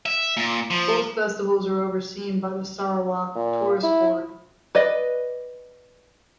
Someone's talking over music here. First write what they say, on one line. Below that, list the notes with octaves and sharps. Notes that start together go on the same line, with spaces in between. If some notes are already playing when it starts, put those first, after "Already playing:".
Both festivals are overseen by the Sarawak Tourist Board.
E5
A#2
F3
A#2
E4
B4 D5 D#5